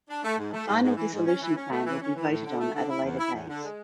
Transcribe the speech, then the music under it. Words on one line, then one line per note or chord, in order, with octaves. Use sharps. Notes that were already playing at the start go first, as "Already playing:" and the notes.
A final dissolution plan will be voted on at a later date.
D4
A3
G#2
A3
G#2
G#2
E3
G#2
C#4
E3
C#4
A3
E3
C#4
E3
A2
D3
A3
D3
E4
E2
E4
E2
D3
G#3